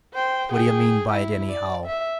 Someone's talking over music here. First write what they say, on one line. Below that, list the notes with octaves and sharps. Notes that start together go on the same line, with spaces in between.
What d'you mean by it, anyhow?
C5 G5
G#4 G5
E4
D5
E5